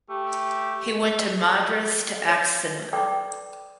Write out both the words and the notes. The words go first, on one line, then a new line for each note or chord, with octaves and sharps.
He went to madras to act cinema.
A3 G4
C#5
A4 B4 D5 G5 D6